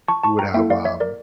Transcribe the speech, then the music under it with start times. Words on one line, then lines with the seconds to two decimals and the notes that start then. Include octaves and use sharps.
we would have, um,
0.08 A5 C#6
0.23 A5 C#6
0.39 G5 A#5
0.54 A#3 E4 A4 E5 G5
0.70 D5 F5
0.85 C#5 E5
1.00 A#4 D5